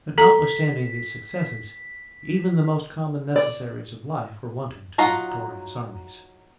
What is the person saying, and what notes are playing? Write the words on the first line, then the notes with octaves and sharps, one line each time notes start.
But notwithstanding these successes, even the most common necessaries of life were wanting to the victorious armies.
A4 A#5 B6
D5
F#3 D#4 F4 F#5 A#5